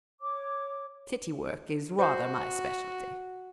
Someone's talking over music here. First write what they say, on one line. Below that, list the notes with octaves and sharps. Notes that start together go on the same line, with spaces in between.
"City work is rather my specialty."
C#5 D6
F#4 C5